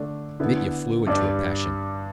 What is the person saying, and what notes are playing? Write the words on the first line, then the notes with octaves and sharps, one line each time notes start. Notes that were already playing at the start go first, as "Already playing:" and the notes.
Mitya flew into a passion.
Already playing: D3 A3 D4
D3 B3 E4
G2 G3 D4